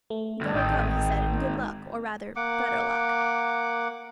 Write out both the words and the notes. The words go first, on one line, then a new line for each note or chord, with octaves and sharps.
"Go, go," he said, "and good luck, or rather better luck."
A3
D2 G2
A1 G#2 D#3 D#5 G5
A#3 F#5 D6